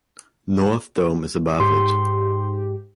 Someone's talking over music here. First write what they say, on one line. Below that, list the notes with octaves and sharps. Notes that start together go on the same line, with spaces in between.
North Dome is above it.
G#2 G4 C6